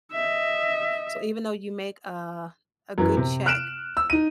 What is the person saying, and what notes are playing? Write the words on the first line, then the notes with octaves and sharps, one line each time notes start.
So, even though you make a a good check,
D#5 E5
F#2 E3
C3
F6 F#6 D7 E7
E6
D#4 D#7